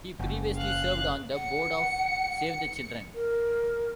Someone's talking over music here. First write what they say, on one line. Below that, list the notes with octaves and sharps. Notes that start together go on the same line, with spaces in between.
He previously served on the board of Save the Children.
F#1
F5 F#6
F#5 C#7
A#4